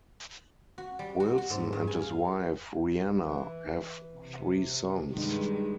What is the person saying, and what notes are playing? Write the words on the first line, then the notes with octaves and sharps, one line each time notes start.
Wilson and his wife Reanna have three sons.
F#4
G3
F#4
F#4
G#2
G2
G#5
F5
E3
C3
G2 D#3 G#3